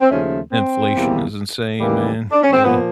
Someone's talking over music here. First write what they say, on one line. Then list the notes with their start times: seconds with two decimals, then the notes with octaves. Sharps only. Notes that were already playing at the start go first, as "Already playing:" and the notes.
Inflation is insane, man, yeah.
0.01 C4
0.10 D#2 C#3 F3 A3 C#4
0.53 C4
0.94 E2 B2 G3 A#3
1.79 D#2 C#3 E3 G3 A#3
2.32 D4
2.43 C#4
2.53 C4
2.65 A#2 F3 A#3 B3